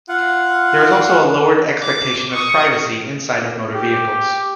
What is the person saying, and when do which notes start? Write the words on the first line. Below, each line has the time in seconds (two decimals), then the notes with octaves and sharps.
There is also a lowered expectation of privacy inside of motor vehicles.
0.09 F4 F#5
1.82 D6
2.33 C#6 D#6
3.75 G4